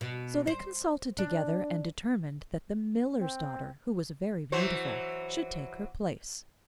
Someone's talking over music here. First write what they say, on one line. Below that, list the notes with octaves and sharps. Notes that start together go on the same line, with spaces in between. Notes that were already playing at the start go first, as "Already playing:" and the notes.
So they consulted together, and determined that the miller's daughter, who was very beautiful, should take her place.
B2
C5
D4
C4
E3 F#3 C5